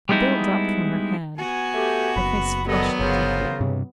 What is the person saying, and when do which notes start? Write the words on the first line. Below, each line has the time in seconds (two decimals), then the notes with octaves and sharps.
The bill dropped from her hand; her face flushed deeply.
0.09 G3 G#3 B3 D#4 E4
1.38 B3 F#4 G#5
1.74 A3 G4
2.16 F#1 B5
2.67 D3 D#3 F#3 B3 A4 B4 D#5
2.99 G1 C#3 F4 A#4 C5
3.60 G2 C3